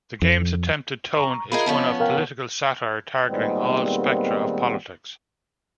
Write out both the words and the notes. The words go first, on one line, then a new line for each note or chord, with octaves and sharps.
The game's attempted tone is one of political satire, targeting all spectra of politics.
F2
A#5 C#6
F4 G#4 A#4 D#5 B5
F3 B3 C#4
A#4 F5 G5
A#2 D#3 G3 G#3 B3 C4